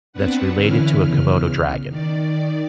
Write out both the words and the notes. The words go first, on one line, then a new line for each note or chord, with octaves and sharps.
that's related to a Komodo dragon.
B3 C4 D4 B4 F#5
D3 E3 C#4 E4 B4 F6
E2 C#3 F6
D#3 D5